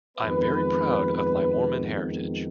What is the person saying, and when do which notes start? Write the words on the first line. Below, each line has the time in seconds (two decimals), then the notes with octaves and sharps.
I'm very proud of my Mormon heritage.
0.18 F2 D#3 G#3 B3 B4